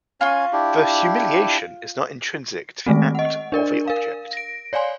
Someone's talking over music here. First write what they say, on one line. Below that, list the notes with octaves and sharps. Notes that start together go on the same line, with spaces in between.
The "humiliation" is not intrinsic to the act or the object.
C#4 F4 G#5 C6 C#6
D4 E4 G4
D#3 G#3 A3 C4
D#5 F#5
D4 A#4 D5
A#4 F5
A#6 D7
C#5 D5 F5 G#5 C6